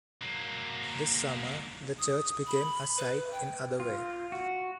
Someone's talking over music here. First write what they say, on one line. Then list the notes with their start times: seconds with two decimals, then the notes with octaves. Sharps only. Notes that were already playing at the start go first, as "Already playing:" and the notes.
This summer, the church became a sight in other way.
0.22 F#3 A#3
1.99 D#6
2.47 B5
2.98 B4
3.31 G5
3.80 F4
4.32 F#4